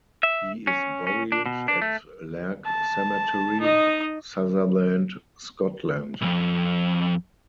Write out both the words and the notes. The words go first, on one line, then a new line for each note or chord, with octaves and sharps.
He is buried at Lairg Cemetery, Sutherland, Scotland.
E5
C#4
C#4
D4
B2
D4
A3
A5
D#4 D#5
C2 F2